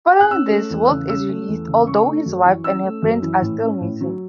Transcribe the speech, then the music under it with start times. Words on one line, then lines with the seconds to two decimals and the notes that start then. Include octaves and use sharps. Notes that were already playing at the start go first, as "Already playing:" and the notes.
Following this, Wilt is released, although his wife and her friends are still missing.
0.20 F#6
0.31 C#4 E6
0.50 A3
0.70 E2
0.90 C#3
1.09 C#4 E6
1.29 A3
1.48 E2
1.68 C#3
1.86 C#4 C#6
2.06 A3
2.26 F#2
2.45 E3
2.64 C#4 E6
2.83 A3
3.02 F#2
3.22 E3
3.42 A2
3.61 C#4
3.81 A2
4.01 F#3